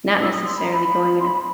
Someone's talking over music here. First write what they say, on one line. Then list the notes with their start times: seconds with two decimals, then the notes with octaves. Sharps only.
not necessarily going in a
0.22 E6
0.33 D#6
0.45 C6
0.57 B5
0.64 A#5
0.72 B5
1.20 C6
1.27 B5